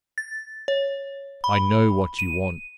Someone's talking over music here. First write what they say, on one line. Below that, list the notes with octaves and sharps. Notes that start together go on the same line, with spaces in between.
"I know what you want."
A6
C#5
B5
D#7